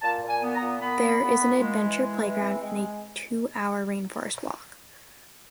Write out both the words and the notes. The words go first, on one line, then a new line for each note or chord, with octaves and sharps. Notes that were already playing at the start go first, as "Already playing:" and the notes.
There is an adventure playground and a two-hour rainforest walk.
A#2 A5
A#2
G#5
B3
A#5
A#2
B3 B5
A#2
B3
A#2
G#3
E3
G#3
E3
C4
G#3